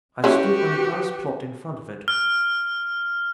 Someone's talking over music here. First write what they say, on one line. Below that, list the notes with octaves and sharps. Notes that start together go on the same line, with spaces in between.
I stood on the grass-plot in front of it.
F#3 C#4 E4 F#4 G4 B4
F6